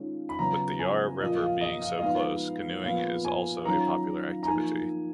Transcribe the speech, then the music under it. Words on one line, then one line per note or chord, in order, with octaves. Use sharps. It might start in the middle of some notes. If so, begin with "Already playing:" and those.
With the Yarra River being so close, canoeing is also a popular activity.
Already playing: D#3 G#3 C#4 F4
B5
C#3 F#3 B3 F4 A#5
G#5
A#2 F3 A#3 F4 D#5
F5
D#5
F5
D#5
F3 G#3 B3 D#4 F5
A#2 F3 B3 F4 F5
G#5
D#3 F#3 C#4 F4 A#5
A#5
F3 A#3 D#4 G#5